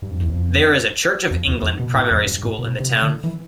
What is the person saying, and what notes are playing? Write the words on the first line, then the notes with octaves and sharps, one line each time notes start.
There is a Church of England primary school in the town.
G2
F2
E2
F2
F2
E2
F2
B2
A2
F2
G2
A2
B2
C3
D3
E3